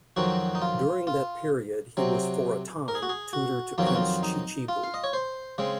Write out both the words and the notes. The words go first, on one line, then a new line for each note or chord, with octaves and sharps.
During that period he was for a time tutor to Prince Chichibu.
F2 D#3 F#3 C4 F#4
D#4
F4
F4
C3 F#3 C4
A#4
G#4
F#4
G#4
F#4
F2 D#3 F#3 C4 F4
F#4
F4
D#4
F4
F5
D#5
C#5
C5
C#3 G#3 C4